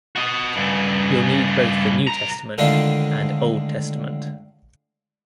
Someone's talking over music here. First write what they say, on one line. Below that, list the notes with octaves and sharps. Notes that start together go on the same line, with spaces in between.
You’ll need both the New Testament and Old Testament.
F#4 D#5
G2 C#3
B1 A#5
A2 D3 D#3 G#3 D4 F4